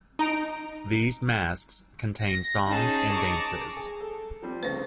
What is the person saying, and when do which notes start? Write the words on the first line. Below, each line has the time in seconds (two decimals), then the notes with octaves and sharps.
These masques contained songs and dances.
0.19 D#4 A#5 D7
2.22 A#6
2.69 C#4 D#4 G#4 A5
3.11 A#5 C#6 D6
3.77 G#4
4.01 A4
4.42 F3 G3 C4
4.63 D2 C#3 B4 C5